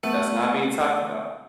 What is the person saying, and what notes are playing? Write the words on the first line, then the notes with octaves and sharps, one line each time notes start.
that's not being talked about.
A3 B3 A4